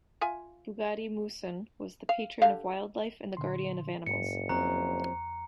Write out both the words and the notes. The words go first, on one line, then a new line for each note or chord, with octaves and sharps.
Bugady Musun was the patron of wildlife and the guardian of animals.
F4 E5 G#5
F5
D3 G4 F5
A#2 D3 C6
F#1 G#2 C#7
F2 F3 C4 A#5 C#6 F#6